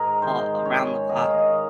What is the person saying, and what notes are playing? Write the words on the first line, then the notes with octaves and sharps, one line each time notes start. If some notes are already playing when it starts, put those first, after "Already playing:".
all around the clock.
Already playing: G#2 G#4 A#4
D#3 C5
C#4 C#5
D#3 D#5
F5
D#5